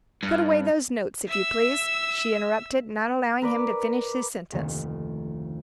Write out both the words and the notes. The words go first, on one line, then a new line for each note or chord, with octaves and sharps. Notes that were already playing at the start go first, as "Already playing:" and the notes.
"Put away those notes, if you please," she interrupted, not allowing him to finish his sentence.
G2
E5 E6
A#4 B4 D5
F1 D2 D#3 A3 A#3